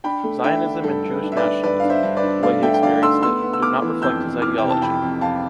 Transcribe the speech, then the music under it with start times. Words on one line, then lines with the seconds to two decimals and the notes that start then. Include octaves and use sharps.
Zionism and Jewish nationalism, the way he experienced it, did not reflect his ideology.
0.04 D4 G5 B5
0.24 A3
0.44 D4 E5 G5
0.64 D3
0.83 G2 A4
1.03 G2
1.10 B4
1.24 D4
1.32 E5
1.36 B4 D5
1.43 D4
1.63 G2 B4 D5
1.80 D4 F5
1.89 C5 E5
2.03 G2
2.17 B4 D5
2.23 D4
2.43 A3 D5 F5
2.63 A3 E5 G5
2.74 G5
2.83 D3 D5 F5
3.03 A3 C6 E6
3.23 B3 C6 E6
3.42 B3
3.53 E6
3.62 B3 D6 F6
3.82 E3
4.02 F2 E6 G6
4.22 E3
4.42 E3 D6 F6
4.58 C3 G5
4.70 A5
4.82 F2 G5 B5
5.02 F2
5.21 F2 F5 A5